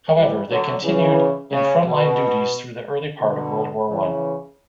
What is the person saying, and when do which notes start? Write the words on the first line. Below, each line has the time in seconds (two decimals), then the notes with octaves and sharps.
However, they continued in front-line duties through the early part of World War One.
0.16 E3 G3
0.50 D3 F#3
0.83 C#3 E3
1.51 C#3
1.85 B2
3.20 B2 D3
3.88 C#3 E3